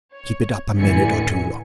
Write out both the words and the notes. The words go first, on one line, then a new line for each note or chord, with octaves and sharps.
Keep it up a minute or two longer.
C#5
A1 D3 E3 G#5 C#7